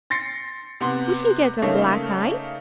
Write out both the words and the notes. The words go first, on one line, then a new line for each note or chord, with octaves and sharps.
Would he get a black eye?
C6 A6 A#6 C7 C#7
C3 B3 C6
C#3 A3 A#3 D#4 C#5